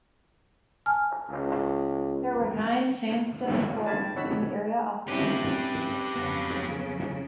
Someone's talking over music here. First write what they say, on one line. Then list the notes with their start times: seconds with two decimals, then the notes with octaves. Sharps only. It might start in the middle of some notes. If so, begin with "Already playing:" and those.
There were nine sandstone quarries in the area operating at the peak of production.
0.86 G#5 A5 F6
1.30 C#2
3.52 A4 C#5 E5 G5 B5
3.67 E4 F4
3.84 D5 E5 F5 G#5 A5 B5
4.01 G5
4.16 C#4 D#4 C#5 F#5 B5 E6
5.08 C4 C#4 E4 G4 B4
6.16 F2 C#3 F#3 B3